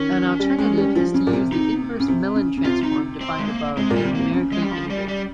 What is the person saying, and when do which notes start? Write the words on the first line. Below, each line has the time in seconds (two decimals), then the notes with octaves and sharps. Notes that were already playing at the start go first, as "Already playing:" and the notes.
An alternative is to use the inverse Mellin transform defined above and numerically integrate.
Already playing: D#3 C#4
0.40 G3
0.58 G#3
0.77 G3
0.95 F3
1.14 C#3
1.27 A#2
1.33 C3
1.52 C3 D#4
2.00 C#3
2.08 C3
2.36 C#3
2.57 C#3
2.64 C3 F4
2.83 D#4
3.21 C4
3.38 G#3
3.49 A#3
3.77 C3 G#3
3.90 A#2
3.96 G3
4.04 C3
4.15 C3 A#3
4.33 C#3
4.52 G#3
4.62 G3
4.71 F3
4.90 G3
5.08 G3